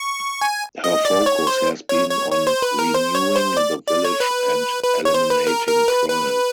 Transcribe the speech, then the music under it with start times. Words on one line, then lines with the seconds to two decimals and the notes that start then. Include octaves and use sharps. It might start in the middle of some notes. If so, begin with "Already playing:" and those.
Her focus has been on renewing the village and eliminating crime.
Already playing: C#6
0.41 G#5
0.84 D#5
1.05 D5
1.26 C#5
1.47 C5
1.89 C#5
2.10 C#5
2.31 C#5
2.47 C5
2.62 B4
2.79 A#4
2.94 C5
3.15 C#5
3.36 C5
3.57 D5
3.88 D5
4.05 C#5
4.20 B4
4.83 B4
5.05 C#5
5.14 C5
5.30 B4
5.47 A#4
5.67 A#4
5.88 B4
6.09 B4